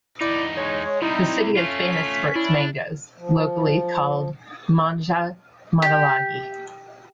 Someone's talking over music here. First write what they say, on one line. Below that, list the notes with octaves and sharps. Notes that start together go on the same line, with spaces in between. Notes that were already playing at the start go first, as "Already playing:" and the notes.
The city is famous for its mangoes, locally called "mangga manalagi".
E2 D#4 E4 D5
G#3 C#5
C3 G3 D#4 E4
A3 C#4 F4
B6
D4 E4
F3
G4